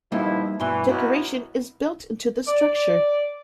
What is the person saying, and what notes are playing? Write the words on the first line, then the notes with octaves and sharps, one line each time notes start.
Decoration is built into the structure.
F2 B2 G3 A#3 D#4 E4
G2 B2 E3 C6
B1 B2 F#3 E4
D5